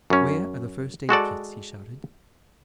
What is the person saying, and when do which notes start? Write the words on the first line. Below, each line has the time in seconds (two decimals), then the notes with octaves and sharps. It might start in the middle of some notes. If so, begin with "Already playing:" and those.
"Where are the first-aid kits?" he shouted.
0.10 F#2 C#4
1.09 G#3 F#4 A4 D5